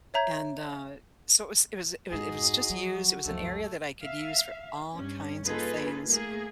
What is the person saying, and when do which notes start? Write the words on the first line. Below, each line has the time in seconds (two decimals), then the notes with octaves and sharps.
and, uh, so, it was it was it was it was just used, it was an area that I could use for all kinds of things,
0.14 C#5 E5 A#5 G6 G#6
2.10 F2 G#2 D#4 F#4 G#4 D#5
2.70 F3 F#3
3.25 C#2 F#2 F3 A3
4.01 E5 F5
4.96 G2 C#4
5.46 A#3 D#4 F4 G#4 A4 B4
6.09 A3 A#3 G#4